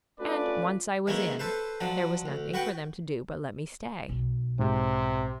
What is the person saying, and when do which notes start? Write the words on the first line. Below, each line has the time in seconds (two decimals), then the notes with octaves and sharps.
And, once I was in, there was nothing for them to do but let me stay.
0.20 A3 C#4 D4 F4 B4 D5
1.07 E3 G#3 A#3 C#4 D#4 E4
1.39 A4 B4 C5
1.81 F3 F#3 D4
2.26 D2
2.54 F#4 B4 F#5 G5
4.09 B1
4.59 G#2 C3